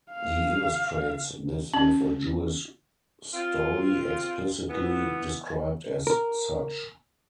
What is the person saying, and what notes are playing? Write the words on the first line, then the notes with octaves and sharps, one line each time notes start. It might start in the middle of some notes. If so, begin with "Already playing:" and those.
He illustrates this with a Jewish story, explicitly described as such.
F5
C#4
C4 F4
E3 B3
A#4